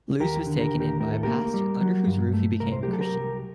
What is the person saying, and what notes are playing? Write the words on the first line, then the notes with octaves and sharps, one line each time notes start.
Luce was taken in by a pastor, under whose roof he became a Christian.
D#2 G4 A#4
D3
G4 A#4
D#2
G4 A#4
A2 A#4
A4
A#3 G4 A#4
G3
F#3
G2
A3
C2 A#4
C5
G4 A#4
F#3 A4
G4 A#4
C2